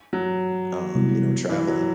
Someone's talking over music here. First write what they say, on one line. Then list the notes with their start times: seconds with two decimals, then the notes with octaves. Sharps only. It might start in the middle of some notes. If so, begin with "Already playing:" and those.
y um, you know, traveling.
0.13 F#3
0.95 C3 G3 B3 E4
1.49 E3
1.68 F#3